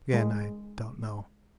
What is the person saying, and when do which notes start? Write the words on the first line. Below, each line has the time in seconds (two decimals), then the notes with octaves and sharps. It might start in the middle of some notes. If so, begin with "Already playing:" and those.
Again I don't know.
0.13 G#3